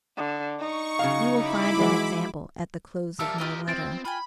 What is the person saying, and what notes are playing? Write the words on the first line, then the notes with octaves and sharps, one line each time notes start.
You will find an example at the close of my letter.
D3
D#4 C#6
C#3 F#3 F5
E4 B5 D6
E3 G#3 F#4
G3 A#3 A4 E5 F5 E6
F4 G4 A#4 B4 D#5
C4 A6 D7
F4 G5 G#5 B5